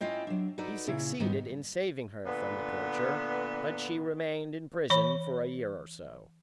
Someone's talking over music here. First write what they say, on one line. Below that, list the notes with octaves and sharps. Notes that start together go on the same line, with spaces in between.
He succeeded in saving her from the torture, but she remained in prison for a year or so.
C#4 E4 F4 D#5 G5
F#3 D4
D#4 F#4 A4 B4 D5
A#2 C#3 E4
G#2 D#3 G3 B3 D#4
A#2 D3 B3
E3 C#5 B5